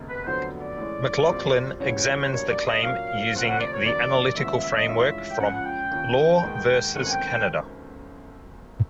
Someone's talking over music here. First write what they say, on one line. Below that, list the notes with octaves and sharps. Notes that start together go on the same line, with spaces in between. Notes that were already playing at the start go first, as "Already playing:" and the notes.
McLachlin examines the claim using the analytical framework from "Law versus Canada".
Already playing: E1 D2 C3
B4
F1 F2 D3 F#3 B3 C5
D5
A2 E3 G#3 C#4
B1 A#2 G3 C4
C#2 C#3 E3 G3 B3 C#5
C5
B2 G3 A#3 D4 C#5
D5
D#5
A#2 F#3 A#3 C#4 F5
D2 C3 F3 A3 C4 F#5
F5
F#5
D5
C#5
F#1 F#2 D#3 F#3 D5
D#2 C#3 F3 G#3 B3 E5
E5
D#5
G2 E3 G#3 C#4 F4 E5
G5
C#2 C#3 F3 F#5
G5
D#2 C#3 F3
E1 D#2 D#3 G#3 B3
G1 F#2 D#3 G#3 C4 F#5
G#5
G5
G5